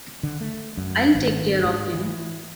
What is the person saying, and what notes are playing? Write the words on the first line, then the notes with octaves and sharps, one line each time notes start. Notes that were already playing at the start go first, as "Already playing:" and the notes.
I'll take care of him.
D3
A3
F#2
G#1
G#2
E3